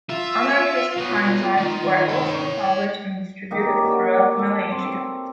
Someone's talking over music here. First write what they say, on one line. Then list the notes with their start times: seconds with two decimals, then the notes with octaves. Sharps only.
Anarchist fanzines were also published and distributed throughout Malaysia.
0.09 F4 E5
0.97 F#3 B3
1.57 D#3
2.09 C#5 G5
3.51 A#3 D#4 G4 A4
3.66 C#4
3.83 F#4 D5
4.39 A4
4.72 C4